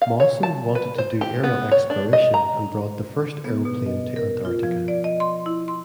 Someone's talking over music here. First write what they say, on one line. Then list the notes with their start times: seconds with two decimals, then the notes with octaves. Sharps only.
Mawson wanted to do aerial exploration and brought the first aeroplane to Antarctica.
0.02 F5
0.20 C#5
0.43 A5
0.75 B4
0.98 C5
1.21 G4
1.44 B3
1.71 C#5
1.90 D4
2.13 D#5
2.34 A#5
3.45 B3
3.65 B2
3.86 D#5
4.16 A#4
4.45 F4
4.63 F3
4.88 D5
5.04 D#5
5.20 C6
5.46 E4
5.68 C6